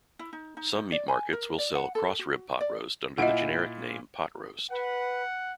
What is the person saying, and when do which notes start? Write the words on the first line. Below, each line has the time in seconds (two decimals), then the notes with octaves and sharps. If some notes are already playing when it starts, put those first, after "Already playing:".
Some meat markets will sell cross-rib pot roast under the generic name pot roast.
0.19 E4
0.33 D#4
0.57 D#4
0.75 D#4
0.92 D5
1.08 G#5
1.33 A#4
1.58 D5
1.75 F#5
1.95 A4
2.19 F#4
2.61 D5
3.18 A#2 E4 D#5 F#5 D7
4.70 B4 F#5